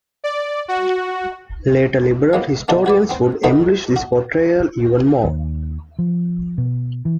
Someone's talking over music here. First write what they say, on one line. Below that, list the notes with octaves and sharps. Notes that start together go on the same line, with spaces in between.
Later liberal historians would embellish this portrayal even more.
D5
F#4
G#3 A#3 B3
B2 D3 F3 F#3 A3 B3
F#4 B4 D5
B3 C4
D3 D#3 A3 D#4 F#4 B4
F#4
D#2
F3
B2
E3